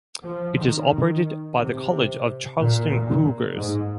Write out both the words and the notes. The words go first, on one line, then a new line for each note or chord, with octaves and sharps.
It is operated by the College of Charleston Cougars.
F3
D#3
C3
A#2
A#2
G#2